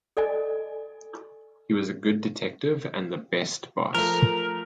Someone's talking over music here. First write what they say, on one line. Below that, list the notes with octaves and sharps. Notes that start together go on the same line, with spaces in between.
He was a good detective and the best boss.
A4 D5 D#5 G#5
F3 A3 A#4